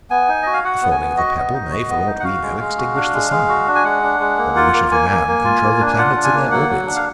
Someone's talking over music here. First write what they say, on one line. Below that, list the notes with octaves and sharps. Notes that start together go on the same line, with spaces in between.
The falling of a pebble may, for aught we know, extinguish the sun; or the wish of a man control the planets in their orbits.
B3 G#5
D#4
F#4 D#5
F5
F#4 F#5
B3
G#5
B3
F#4 D#5
B3
D#4
F#4
B3
D#4
F#5
F#4 F5
G#3
G#3
F#4
D4
G#3
G#3
F#4
D4
G#5
G#3 F#5
D4
G#3
A#3
F4
A#3
A#3 G#5
A#3
A#3
F4
A#3
D4
G#5
F4 F#5
D4
G#5
A#3
F#3 F#5
F#3
D4
F5